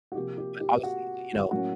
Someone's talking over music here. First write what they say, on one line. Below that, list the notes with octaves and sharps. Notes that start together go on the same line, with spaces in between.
but obviously, you know,
F#4
C3 F3 A#3 G4
G4
G4
F#4
A2 F#3 A#3 C#4 F#4